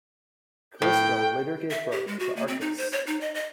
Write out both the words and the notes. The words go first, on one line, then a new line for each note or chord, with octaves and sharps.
Callisto later gave birth to Arcas.
A2 G5
E5
G4
G#3
F#4
A#3
C4
D#4
C5
C#5
D#4
D#5
D#5